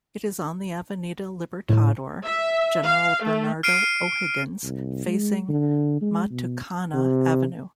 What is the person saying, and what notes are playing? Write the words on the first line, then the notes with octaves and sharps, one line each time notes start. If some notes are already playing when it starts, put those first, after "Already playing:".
It is on the Avenida Libertador General Bernardo O'Higgins, facing Matucana avenue.
A2
E5
F5
A3
F6 C7 D7 D#7
C2
G#3
D3
G#3
B2
C3